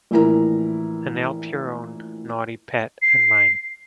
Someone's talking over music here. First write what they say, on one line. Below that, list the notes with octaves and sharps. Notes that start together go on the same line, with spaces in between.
And help your own naughty pet and mine.
A#1 A2 E3 E4 A#4 A#5
C7